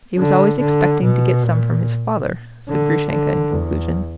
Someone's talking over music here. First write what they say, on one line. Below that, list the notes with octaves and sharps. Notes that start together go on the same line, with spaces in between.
"He was always expecting to get some from his father," said Grushenka in conclusion.
D3
D3
B2
A#2
D3
D3
E2